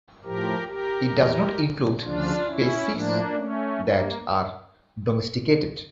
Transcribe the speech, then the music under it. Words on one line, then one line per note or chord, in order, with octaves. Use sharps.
It does not include species that are domesticated.
A2 F3 G4 A#4
G4 A#4
E2 E3
D2 C#3 F3 D4 F4
C#4 E4
A2 F3 A#3 D4
A3 C#4
G2 A#3